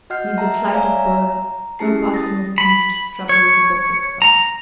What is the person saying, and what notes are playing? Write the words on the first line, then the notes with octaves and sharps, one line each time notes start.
Neither flight of bird nor passing of beast troubled the perfect calm.
F#4 D#5 F#5 F6 G6 C7
E5 A5 A#5
C#5 D5 E5 F5 G#5 A#5
A#5
C#4 E4 G4 G#4 A5 C7
D#6 A6 A#6
B5
C#5
A#5